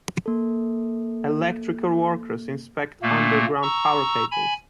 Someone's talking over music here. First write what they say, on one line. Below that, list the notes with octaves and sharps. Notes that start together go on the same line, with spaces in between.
Electrical workers inspect underground power cables.
A#3 A4
A#2 A3 A#3
A#5 C#6 E6
G#5 B5